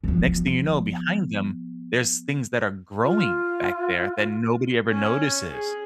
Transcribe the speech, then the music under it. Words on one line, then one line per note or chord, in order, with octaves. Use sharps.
Next thing you know, behind them, there's things that are growing back there that nobody ever notices.
F3 B3
F4
C#4
G#4